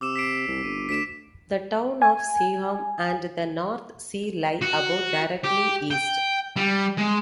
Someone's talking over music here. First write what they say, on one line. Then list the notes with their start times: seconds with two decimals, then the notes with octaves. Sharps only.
The town of Seaham and the North Sea lie about directly east.
0.01 C3 D6 E6 E7
0.16 B6 C7 D7
0.48 C2
0.64 G1 D#7
0.89 D2 B6 D7 E7
2.02 G#5
4.62 F#4
5.44 G4
5.91 G5
6.57 G3
6.98 G#3